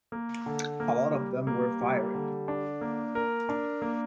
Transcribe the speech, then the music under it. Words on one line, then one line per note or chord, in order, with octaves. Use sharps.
A lot of them were firing.
A#3
D3
A#3
G3
A#3
G3
D3
D4
A#3
A#4
D4
A#3